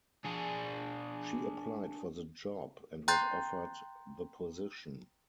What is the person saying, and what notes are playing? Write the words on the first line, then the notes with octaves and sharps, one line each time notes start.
She applied for the job and was offered the position.
D4 G#4
G5 A#5 C6 F#6 G6 A6